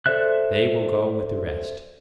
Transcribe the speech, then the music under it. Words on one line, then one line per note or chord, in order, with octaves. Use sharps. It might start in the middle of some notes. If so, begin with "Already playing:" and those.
They will go with the rest.
A4 C5 D5 E5 F#6